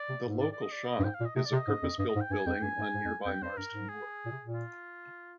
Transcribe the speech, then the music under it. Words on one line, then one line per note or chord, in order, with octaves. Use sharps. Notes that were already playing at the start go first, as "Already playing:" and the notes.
The "Local Shop" is a purpose-built building on nearby Marsden Moor.
Already playing: D5
C3
G#2
D5
D5
D#5
D5
D#5
G2
G#2 G5
F5
A#2
D#5
C3 D#5
D5
C3
D#5
G#2
F2
G2 D#5
D#5
G#2
G5
G2 G#5
F2 G5
G2 G#5
G#2
G#2
F2
F2 G5
F2 C5
G2 A#4
G#2
G#4
A#2
C3
A#2
F4